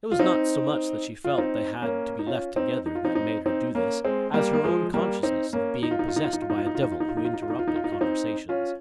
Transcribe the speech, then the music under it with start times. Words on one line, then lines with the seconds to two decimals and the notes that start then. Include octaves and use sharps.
It was not so much that she felt they had to be left together that made her do this as her own consciousness of being possessed by a devil who interrupted conversations.
0.12 F4
0.19 C4 D#4
1.24 F4
1.38 C4 D#4
1.82 A#3 C#4
2.19 D#4
2.27 C#4 F4
2.56 C4 D#4
2.86 D#4
2.95 F4
3.05 C4 D#4
3.15 C4 D#4
3.46 C4 D#4
3.75 A#3 C#4
4.05 G#3 C4
4.34 G3 A#3
4.53 A#3
4.64 F3 G#3
4.94 G3 A#3
5.23 C4 D#4
5.53 A#3 C#4
5.83 D#4
5.91 F4
5.99 D#4
6.08 F4
6.16 D#4
6.25 F4
6.33 D#4
6.42 F4
6.50 D#4
6.58 F4
6.67 D#4
6.75 F4
6.83 D#4
6.92 F4
7.00 D#4
7.08 F4
7.17 D#4
7.25 F4
7.34 D#4
7.42 F4
7.50 D#4
7.59 F4
7.68 D#4
7.75 F4
7.84 D#4
7.92 F4
8.01 C4 D#4
8.49 C#4 F4